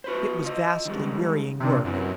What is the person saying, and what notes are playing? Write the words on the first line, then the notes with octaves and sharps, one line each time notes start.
It was vastly wearying work.
F#4 B4 C5
F4 D#5
D#3 G3 G#3
E2 C3 D4
F#2 C3 E3 F#3